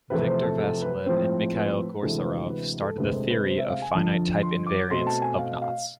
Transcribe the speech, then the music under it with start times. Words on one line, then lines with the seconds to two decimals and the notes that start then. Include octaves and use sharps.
Viktor Vassiliev and Mikhail Goussarov started the theory of finite type invariants of knots.
0.10 E2 C3 F3 A3 B4
0.26 C5
0.42 A4
0.58 A4
0.82 B4
1.06 A2 F3 G#3 C4 C5
1.55 B4
2.03 D2 C3 E3 G#3 A4
2.18 B4
2.50 B4
2.82 A4
2.98 D2 C3 G#3 C4 B4
3.14 A4
3.30 B4
3.46 C5
3.58 E5
3.70 F5
3.82 G#5
3.94 F2 D3 F3 A5
4.42 C6
4.67 D6
4.90 B2 A3 C4 C6
5.07 A5
5.22 G#5
5.38 F5
5.62 F5